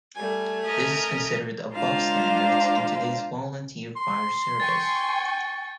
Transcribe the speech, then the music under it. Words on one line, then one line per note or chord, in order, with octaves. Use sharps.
This is considered above standards in today's volunteer fire service.
G3 A3 G#5
A#4 D#5 E5
G#3 D4 F4 C5 F5 A#5
C6
G5 G#5 C#6 A6